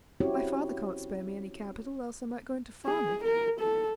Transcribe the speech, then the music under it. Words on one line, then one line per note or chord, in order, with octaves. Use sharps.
My father can't spare me any capital, else I might go into farming.
C4 C#4 E4 F#4 G4 C#5
G#4
A#4
A4